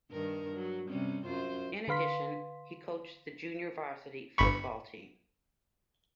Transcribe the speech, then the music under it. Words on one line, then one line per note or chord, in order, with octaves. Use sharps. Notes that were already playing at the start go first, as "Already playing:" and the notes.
In addition, he coached the junior varsity football team.
G2 D#3 A#4
F#3
C3 G3 C#4
F#2 F4 C5
D3 B4 F5 C6 B6
G1 B5 C#6